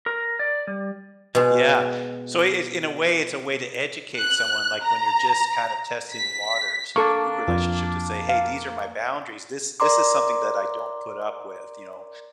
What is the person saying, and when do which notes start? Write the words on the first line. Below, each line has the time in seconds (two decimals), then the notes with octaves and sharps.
Yeah. So it in a way, it's a way to educate someone, like, when you're, just, kind of, testing the waters in a new relationship to say, "Hey, these are my boundaries. This this is something that I don't put up with, you know,
0.06 A#4
0.39 D5
0.67 G3
1.35 B2 G#3
4.19 F#6
4.83 A#5
6.12 B6
6.96 A#3 D4 A4 C#6
7.48 F2 F4
8.29 F5
9.80 A#4 D5 A#5 C6 D6